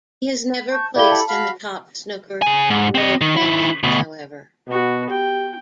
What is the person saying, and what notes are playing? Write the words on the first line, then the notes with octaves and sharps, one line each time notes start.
He has never placed in the top snooker world rankings, however.
A5 C#6 G6
E4 G4 A4 D5 F5 B5 G7
A5
F#4 F5 B5
C#3 G#5
G#2
C4 D#5
D#3
D#3 E4
D2 B2
B2 B3 F#4
G4 G5